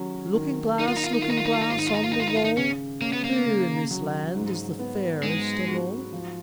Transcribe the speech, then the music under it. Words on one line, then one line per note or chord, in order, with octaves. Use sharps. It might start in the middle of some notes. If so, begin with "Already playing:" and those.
"Looking-glass, Looking-glass, on the wall, Who in this land is the fairest of all?"
Already playing: D#3 F#3 C#4
D#3
A#3 D#4
F4
D#4
F4
D#4
D#3 F4
D#4
F4
D#4
F4
D#4
G#2 F4
D#4
F4
D#4
F4
D#3 D#4
F4
D#4
F4
D#4
C#3 C#4
A#3 C#4
B3
A#3
C#3
F#3
G#2
B3
G#2 G#3
F#4
F3